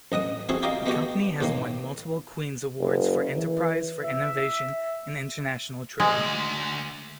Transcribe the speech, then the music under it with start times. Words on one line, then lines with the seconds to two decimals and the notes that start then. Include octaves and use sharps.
The company has won multiple Queen's Awards for Enterprise for innovation and international trade.
0.12 A1 D#5 F#5 D#6
0.49 C4 E4 F#4 G#4 A4
0.63 F4 G4 A#4 D5 D#5 F5
0.86 G#3 A3 B3 F#4 G4 D#5
1.41 D#2 A2 D#3 E3 A#3
2.79 F#1
3.36 E3
4.04 E5
6.00 D2 G#3